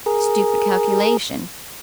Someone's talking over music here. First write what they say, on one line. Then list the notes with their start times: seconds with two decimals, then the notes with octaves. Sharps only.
Stupid calculation!
0.06 G#4 A#4